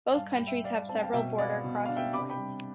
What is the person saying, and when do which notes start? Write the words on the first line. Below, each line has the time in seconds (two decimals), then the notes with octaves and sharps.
Both countries have several border crossing points.
0.14 G2 F5 A5
0.31 G5 B5
0.39 G2
0.47 E5 G5
0.64 G2 D5 F5
0.89 C4 A5
0.97 G5
1.03 F5 A5
1.13 B2 E5 G5
1.38 B3 D5 F5
1.64 B2
1.85 D4 F5
1.96 E5 G5
2.13 C3 B5 D6
2.30 G5 B5
2.37 G3